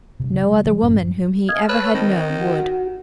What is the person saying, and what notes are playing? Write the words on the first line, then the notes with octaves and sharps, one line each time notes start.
No other woman whom he ever had known would.
G2 C3
C#3
G3 G#3
C#3 F3 G3
A1 F#2 C#4
D#5 F5 G#5
B4 C#5 A5 E6
D#3 C4
F#4